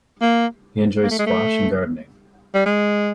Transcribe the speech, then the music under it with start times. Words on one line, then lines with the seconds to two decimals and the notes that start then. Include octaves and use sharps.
He enjoys squash and gardening.
0.22 A#3
1.03 A#3
1.11 A3
1.19 G#3
1.27 A3
2.54 G3
2.66 G#3